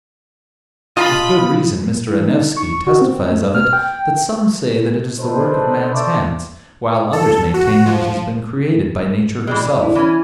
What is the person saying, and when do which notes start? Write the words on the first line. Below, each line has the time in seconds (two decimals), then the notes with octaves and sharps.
With good reason Mr. Anaevsky testifies of it that some say that it is the work of man's hands, while others maintain that it has been created by nature herself.
0.97 F4 D#5 F5 A5 B5 D#6
2.08 E3
2.28 D#4
2.57 C#6
2.87 F#4
3.02 C4
3.31 A3
3.55 F6
3.73 G5
5.19 D4 D#4 A4 B4 C5
5.94 A4 C5 D5 E5 C#6 D6
7.13 A4
7.54 F#4
7.86 F3
9.47 E3 G3 G#3
9.65 D3
9.82 E4
9.95 E3 C#4